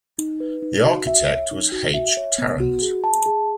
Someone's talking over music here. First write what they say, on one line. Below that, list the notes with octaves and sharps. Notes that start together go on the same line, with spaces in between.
The architect was H. Tarrant.
D#4
B4
D#4
F#4
E5
C#5
D#4
F#4
E5
C#5
B3
F#4
G#4
A5
G#4